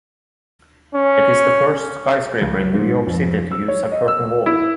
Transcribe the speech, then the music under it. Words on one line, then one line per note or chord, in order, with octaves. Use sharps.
It is the first skyscraper in New York City to use a curtain wall.
C#4
C#2
G#2
F2
E6
C#5
D#5
E6
E4